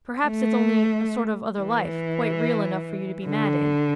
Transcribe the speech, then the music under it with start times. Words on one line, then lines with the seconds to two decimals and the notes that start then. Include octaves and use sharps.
Perhaps it's only a sort of other life--quite real enough for you to be mad in.
0.26 A3
1.60 E3
3.25 D3